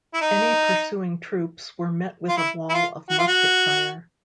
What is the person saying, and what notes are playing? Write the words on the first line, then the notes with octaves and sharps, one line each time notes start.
Any pursuing troops were met with a wall of musket fire.
E4
D#4
F4
E4
E4
F4
F#4
F4
F#4